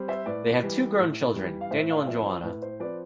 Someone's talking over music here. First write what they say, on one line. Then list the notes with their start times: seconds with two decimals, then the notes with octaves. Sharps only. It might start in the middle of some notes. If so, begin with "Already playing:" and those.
They have two grown children, Daniel and Joanna.
Already playing: G3 C4
0.08 C5 E5
0.26 A2 B4 D5
0.63 E3 G3
0.99 A2
1.35 E3 G3
1.61 F5
1.71 A2 C5 E5
1.89 D5 F5
2.02 F5
2.07 F3 C4 C5 E5
2.25 C5
2.43 A2 B4
2.62 C5
2.80 F3 C4 B4 D5